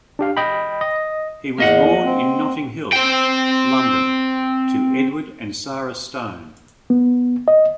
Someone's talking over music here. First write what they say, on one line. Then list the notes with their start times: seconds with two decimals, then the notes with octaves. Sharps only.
He was born in Notting Hill, London to Edward and Sarah Stone.
0.19 D4 G4 F5
0.37 D#5 G5 B5
0.81 D#5
1.58 E2 A#3 D#5 F#5
2.04 C4
2.93 C4 G5
6.90 B3
7.48 D#5